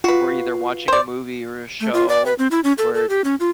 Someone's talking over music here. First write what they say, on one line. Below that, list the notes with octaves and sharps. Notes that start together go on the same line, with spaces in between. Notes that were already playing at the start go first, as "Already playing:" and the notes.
we're either watching a movie or a show. We're
F4 F#4 B4
C5 D5
A3
F4
D5
B4
C4
E4
C#4
A4
A4
G4
C#4
F4